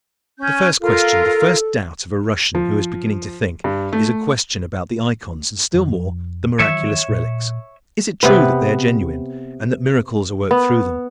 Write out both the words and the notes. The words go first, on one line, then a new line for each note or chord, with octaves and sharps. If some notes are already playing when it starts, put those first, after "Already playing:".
The first question, the first doubt of a Russian who is beginning to think, is a question about the ikons, and still more the miraculous relics: Is it true that they are genuine, and that miracles are worked through them?
C#4 G6
F4 A4 A#4
F3
G2
A3
F2 F3
D#3 E3 F#3 C#5 E5
A#2
C3 B3 B4
B3